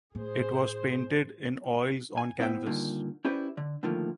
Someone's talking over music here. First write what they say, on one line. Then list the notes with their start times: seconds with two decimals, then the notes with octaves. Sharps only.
It was painted in oils on canvas.
0.15 A2 G#4 C5
2.17 G#5
2.40 B3 E4 C5 E5 F#5 G5
2.66 G2 A#2 D3 D#3
3.25 C#4 E4 G4 B4 C5 D5
3.57 D3
3.83 A2 D3 D#3 F3 A3 A#3